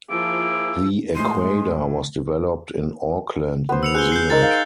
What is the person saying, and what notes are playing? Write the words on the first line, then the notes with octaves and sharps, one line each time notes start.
The Aquada was developed in Auckland, New Zealand.
F3 A#3 E4 G#4 D6 E6
A2 G#3 C6 C7 D#7
B3 C5
E6 C#7 F7
G#4 F#6 G6 G7
G6 C7
D#4 A#4 C5 A6
F5